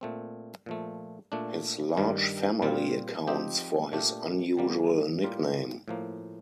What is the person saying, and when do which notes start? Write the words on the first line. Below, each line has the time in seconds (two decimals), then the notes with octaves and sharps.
His large family accounts for his unusual nickname.
0.01 A#2 A3 C4
0.66 A#2 F3 A3
1.32 A#2 A3 D4
1.97 G2 D#3 G3
2.62 A#2 G3 C4 F4
3.27 F3 C4 D#4 G4
3.92 A#2 A3 D4 G4
4.57 D3 G3 A#3
5.22 A2 G3 A#3 F4
5.88 A2 F3 A#3